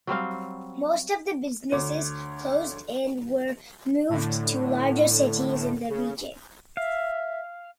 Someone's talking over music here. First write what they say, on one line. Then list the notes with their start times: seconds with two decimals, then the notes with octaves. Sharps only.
Most of the businesses closed and were moved to larger cities in the region.
0.07 F#3 G3 C4 F5
1.72 D2 C#5 D6
4.09 A2 D3
5.89 C#3
6.77 E5 F5